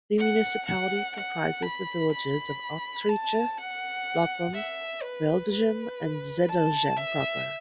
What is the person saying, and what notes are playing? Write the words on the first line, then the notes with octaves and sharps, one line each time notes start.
The municipality comprises the villages of Aartrijke, Loppem, Veldegem and Zedelgem proper.
F#5
F#5
F#5
B5
B5
A5
F#5
E5
B4
B4
A5
E5